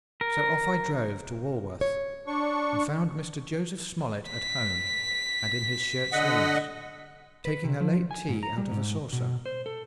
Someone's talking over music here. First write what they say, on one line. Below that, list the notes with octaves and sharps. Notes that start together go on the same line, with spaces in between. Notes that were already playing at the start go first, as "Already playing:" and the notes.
So off I drove to Walworth, and found Mr. Joseph Smollet at home and in his shirtsleeves, taking a late tea out of a saucer.
A#4
C#5
D4 C#6
B6
D3 D#5 F#5
B4
C3
F3
G#5
G#2
A#5
G3
G#2
B2
C5
A4